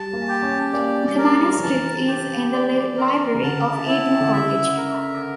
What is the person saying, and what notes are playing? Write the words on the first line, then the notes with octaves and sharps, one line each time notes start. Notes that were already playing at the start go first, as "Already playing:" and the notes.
The manuscript is in the library of Eton College.
Already playing: G3 A5
A#3
G4
C#4
A#3 D5
G3
A#4
G3
F3
E3 A5
G4
D5
A#4
C#3
D3 A5
E4
D3
C#3 E5
A#4